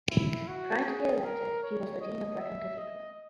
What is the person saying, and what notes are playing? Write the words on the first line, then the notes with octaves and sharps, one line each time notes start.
Prior to being elected he was the Dean of Brecon Cathedral.
E4
F#4
G#4
A#4
C#5
D#5
E5
D#5